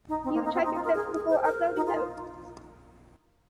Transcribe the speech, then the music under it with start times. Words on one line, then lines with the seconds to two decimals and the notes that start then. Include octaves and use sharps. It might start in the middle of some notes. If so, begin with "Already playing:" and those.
Do you check your clips before uploading them?
0.09 D#4
0.24 C4
0.34 A#3
0.45 D#4
0.54 C4
0.65 D#4
0.75 F4
0.85 A#4
0.95 G#4
1.15 G#4
1.30 C5
1.45 A#4
1.61 A#4
1.76 D#4
1.87 F4